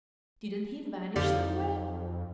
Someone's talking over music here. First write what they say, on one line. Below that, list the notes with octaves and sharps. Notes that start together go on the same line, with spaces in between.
"Didn't he vanish somewhere?"
F2 D3 F3 F#3 C4 D#4 G4 D5